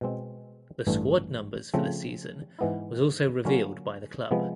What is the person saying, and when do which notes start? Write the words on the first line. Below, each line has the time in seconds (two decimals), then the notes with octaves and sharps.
The squad numbers for the season was also revealed by the club.
0.01 B2 G#3 C4
0.87 A1 G2 E3 A3
1.74 C#3 F3 A3 C4
2.59 G#2 E3 G#3 B3 E4
3.45 D3 F#3 A#3 C#4 F4
4.31 C3 F3 G#3 B3